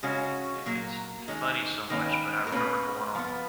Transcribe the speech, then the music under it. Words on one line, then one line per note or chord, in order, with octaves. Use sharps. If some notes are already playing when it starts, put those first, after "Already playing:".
if it's funny so much, but I remember going on
C#3 G#3 C#4 F#4
A#2 F#3 A#3 A#4
D#3 G#3 C#4
D#3 A#3 C#4 B4
A#4
B2 A#3 C#4 B4
F3 B3